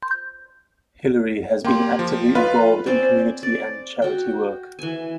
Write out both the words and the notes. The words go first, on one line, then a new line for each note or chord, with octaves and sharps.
Hilary has been actively involved in community and charity work.
A#3 G4 G5 C6
F3
F4 B4
C4 C#4 C5 D5
D5
F#4 G5
E3 G#5